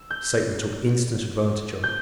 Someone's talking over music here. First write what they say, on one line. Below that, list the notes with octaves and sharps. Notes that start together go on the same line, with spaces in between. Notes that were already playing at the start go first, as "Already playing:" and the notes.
Satan took instant advantage of it.
Already playing: E6
G6
G6